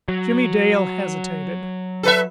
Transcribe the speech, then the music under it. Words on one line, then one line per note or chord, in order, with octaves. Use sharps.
Jimmie Dale hesitated.
F#3
A4 B4 E5